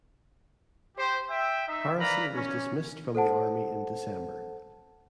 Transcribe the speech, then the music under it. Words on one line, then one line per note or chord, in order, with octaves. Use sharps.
Harrison was dismissed from the Army in December.
G4 C5
E5 G5
D#4 E5
A#4 B4 D5 F5 A#5 B5
C#4
A4 C5 F#5 A5